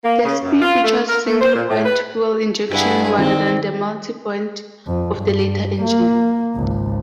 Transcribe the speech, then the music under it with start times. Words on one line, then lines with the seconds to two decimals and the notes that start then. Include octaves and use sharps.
The Spi features single-point fuel injection rather than the multi-point of the later engine.
0.04 A#3
0.25 C#3
0.44 F#2
0.62 F4
0.84 A3
1.09 A#4
1.26 A3
1.41 C5
1.55 A#2
1.70 A2
1.85 B4
2.71 G2 E4 G4 G#4 B4 F#5
3.18 D#3 E3 C4 D#4 D5
4.87 F2
5.17 G2
5.82 A#3
6.56 G#1 C#2